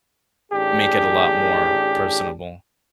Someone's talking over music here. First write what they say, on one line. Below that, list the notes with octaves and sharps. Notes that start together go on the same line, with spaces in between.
make it a lot more personable.
A1 D4 G4 G#4